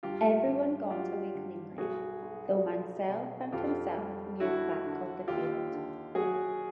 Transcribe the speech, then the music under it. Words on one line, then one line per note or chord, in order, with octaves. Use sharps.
Everyone got away cleanly, though Mansell found himself near the back of the field.
G2 F4 G4
G2
F#3 F4 G4
G2
B1 F#4 G#4
B1
B1
B2
F2 F4 G4
G3
D3 E4 F#4
D3
D#2 F4 G4
D3
F#3 F#4 G#4